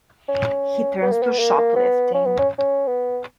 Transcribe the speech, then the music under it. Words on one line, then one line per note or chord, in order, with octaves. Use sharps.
He turns to shoplifting.
C#4
B3
A#3
B3
A#3
A#3
B3
C#4
B3
C#4
C#4
B3